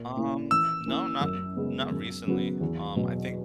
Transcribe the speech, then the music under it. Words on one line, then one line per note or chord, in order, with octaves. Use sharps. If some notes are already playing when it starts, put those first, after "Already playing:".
Um, no, not in not recently. Um, I think
Already playing: A#2
A#3 C#4 E4
E3 E6
A#3 C#4 E4
F#2
C#3 G#3 B3
F#2
C#3 F#3 B3 F#4
E2
B2 F#3